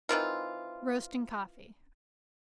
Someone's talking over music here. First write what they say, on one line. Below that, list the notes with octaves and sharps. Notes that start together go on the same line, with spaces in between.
Roasting Coffee.
D#3 E3 C4 F4